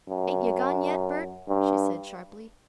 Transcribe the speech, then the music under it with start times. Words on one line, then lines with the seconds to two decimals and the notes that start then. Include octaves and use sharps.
"Ain't you gone yet, Bert?" she said sharply.
0.09 F#2
1.48 G2